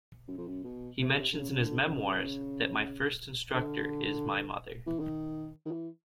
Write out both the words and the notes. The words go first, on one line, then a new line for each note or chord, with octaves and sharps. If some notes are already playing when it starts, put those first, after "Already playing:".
He mentions in his memoirs that "my first instructor is my mother".
F#2
F2
F#2
B2
C3
D3
C#3
C#3
D3
C#3
D3
E3
D#3
D#3
E3